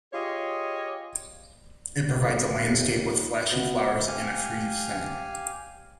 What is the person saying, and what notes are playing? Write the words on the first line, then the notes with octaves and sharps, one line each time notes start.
It provides a landscape with flashy flowers and a fruity scent.
F4 G4 G#4 C#5 D#5
B1
D#2
B2
G4 F5 G#5